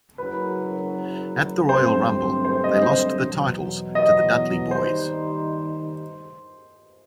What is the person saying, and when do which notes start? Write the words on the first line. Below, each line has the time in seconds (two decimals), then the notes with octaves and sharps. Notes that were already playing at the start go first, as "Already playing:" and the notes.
At the Royal Rumble, they lost the titles to the Dudley Boyz.
0.18 F#1 F#2 F#3 B4
1.69 G1 G2 F#3 A3 C4 C5
2.45 C5
2.64 D#5
2.82 C5
3.20 E2 B2 F#3
3.95 D#5
4.71 D#2 D#3 G3 D#4 C5